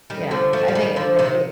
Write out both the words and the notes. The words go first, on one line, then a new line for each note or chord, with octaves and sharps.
you know. I think it it it
D#3 G3
D3 F3
F3 A3
F3
D#3 G3
D3 F3
C3 D#3